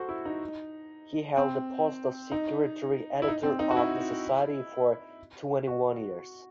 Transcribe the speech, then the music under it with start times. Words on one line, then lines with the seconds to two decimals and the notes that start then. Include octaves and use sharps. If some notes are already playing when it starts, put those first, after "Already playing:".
He held the post of secretary-editor of the society for twenty-one years.
Already playing: F#4 A4 C5
0.09 E4
0.25 D#4
1.37 C4
2.32 D#4
3.22 E4
3.28 D#4
3.43 C4
3.59 D#4
3.71 F#4
3.76 E4
5.67 F#4